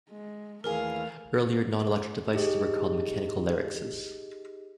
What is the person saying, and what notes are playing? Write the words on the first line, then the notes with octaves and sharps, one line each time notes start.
Earlier non-electric devices were called mechanical larynxes.
G#3
D#2 E3 A3 G#4 A#4 F5
D#4 G4 G#4 D#5